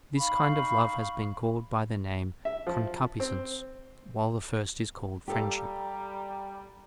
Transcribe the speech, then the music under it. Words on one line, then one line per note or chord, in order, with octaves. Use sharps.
This kind of love has been called by the name "concupiscence" while the first is called "friendship."
D#4 F5 B5 C#6
E5
F3
C4
G3 G4 A4 F5 A#5